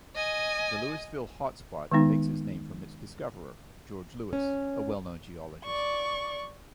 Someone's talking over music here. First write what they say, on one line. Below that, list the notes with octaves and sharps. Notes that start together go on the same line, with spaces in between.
The Louisville hotspot takes its name from its discoverer, George Louis, a well-known geologist.
D#5 G#5
D#3 G#3 B3 D#4
C#4
D5 C#6